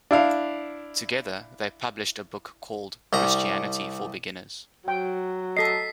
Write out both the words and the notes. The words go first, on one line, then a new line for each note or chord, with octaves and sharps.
Together, they published a book called "Christianity for Beginners".
D4 E4 F5
C2 G3 A#5
F#3 G5
A4 D#5 B6 C7